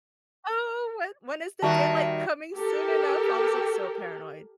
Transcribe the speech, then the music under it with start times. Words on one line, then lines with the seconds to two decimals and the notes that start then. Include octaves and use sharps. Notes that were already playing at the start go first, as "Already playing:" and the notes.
"Oh, when when is the daylight coming soon enough?" I was, like, so paranoid.
1.62 D#3 G3 F#4 E5 A5
2.57 G4 A4 A#4